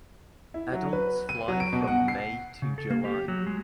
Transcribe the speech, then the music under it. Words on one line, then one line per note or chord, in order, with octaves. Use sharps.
Adults fly from May to July.
E4
F#3
B4
D#7
F#3
D7
B2
F#5
C7
C#3
A4
A#3
G4
F#3
G#3